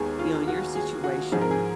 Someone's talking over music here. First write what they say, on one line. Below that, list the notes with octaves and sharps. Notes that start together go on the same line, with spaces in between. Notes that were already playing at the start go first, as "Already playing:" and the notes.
you know, in your situation,
Already playing: D#2 D#3 G#3 B3 G#4
F4
F#4
G#4
F#4
G#2 F3 G#3 G#4
A#4
G#4